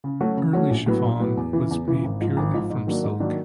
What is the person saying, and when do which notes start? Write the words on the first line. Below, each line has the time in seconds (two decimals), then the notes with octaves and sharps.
Early chiffon was made purely from silk.
0.04 C#3
0.21 F#3 A3 C#4 F#4
0.37 C#3
0.53 F#3 A3 C#4 F#4
0.70 A#1
0.86 A2 F#3 B3
1.04 A#1
1.20 A2 F#3 B3
1.37 E2
1.53 C#3 E3
1.71 E2
1.88 C#3 E3
2.04 G#1
2.20 G#2 F3
2.37 G#1
2.53 G#2 F3
2.70 G#2
2.87 D#3 F#3 A#3 D4
3.04 G#2
3.20 D#3 F#3 A#3 D4